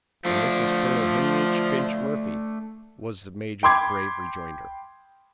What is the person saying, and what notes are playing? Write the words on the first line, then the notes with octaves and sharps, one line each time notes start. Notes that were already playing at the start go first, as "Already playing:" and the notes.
"And this is Colonel Heneage Finch Murphy," was the major's grave rejoinder.
F3 A3 D4
G5 B5 C6 D6 G#6